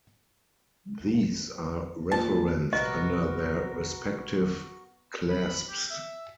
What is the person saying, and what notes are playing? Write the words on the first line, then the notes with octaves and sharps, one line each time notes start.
These are referenced under their respective clasps.
A#2 A5
A#1 C3 G3 B3 F#4 A#4 D#5
B5
G4
E5